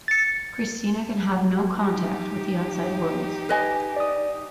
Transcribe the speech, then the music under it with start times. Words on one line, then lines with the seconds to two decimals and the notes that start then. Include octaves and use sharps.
Christina can have no contact with the outside world.
0.08 A6 C#7
1.82 D#4 G4
3.49 B4 D#5 G#5
3.97 D5 D#6